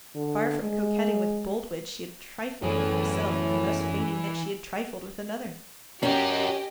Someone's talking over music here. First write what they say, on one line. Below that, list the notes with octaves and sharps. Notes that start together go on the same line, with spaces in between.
Far from coquetting with Boldwood, she had trifled with himself in thus feigning that she had trifled with another.
D3
G#3
F#2 A2 E3 G#4
C#4 F#4 G4 A#4 D#5